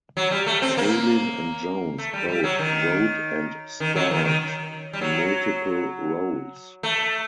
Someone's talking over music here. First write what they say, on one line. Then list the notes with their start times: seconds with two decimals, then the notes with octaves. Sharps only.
Palin and Jones both wrote and starred in multiple roles.
0.17 F#3
0.31 G3
0.46 A3
0.62 C4
0.77 A#3
1.98 A3
2.13 G3
2.29 G3
2.44 F#3
2.59 D#3
3.80 D#3
3.96 F#3
4.11 D#3
4.25 D#3
4.93 G3
5.01 F#3
6.83 A3